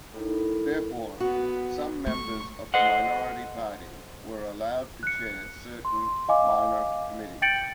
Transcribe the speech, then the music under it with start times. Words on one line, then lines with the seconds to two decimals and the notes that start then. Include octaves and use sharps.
Therefore, some members of the minority party were allowed to chair certain minor committees.
0.13 A2 D#3
1.20 B3 F#4
2.07 A3 C#6
2.74 A4 C5 D#5 F#5
5.03 F#6 C#7
5.85 C6
6.29 D#5 F5 G#5 D6
7.42 G5 G6 A6 C#7 D7 F#7